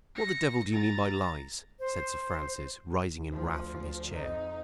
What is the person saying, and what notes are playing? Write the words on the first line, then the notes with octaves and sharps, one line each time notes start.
"What the devil do you mean by lies?" said Sir Francis, rising in wrath from his chair.
A#6 C#7
A#5 A6
C5
D2 F3
F2 D#4